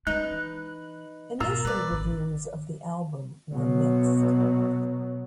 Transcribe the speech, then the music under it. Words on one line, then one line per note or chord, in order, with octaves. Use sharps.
Initial reviews of the album were mixed.
G#3 C#4 D#4 B4 F#6
E3
G#2 B2 F4 A#4 E6
G3 B4 D5
G#1 D4
B2 F#3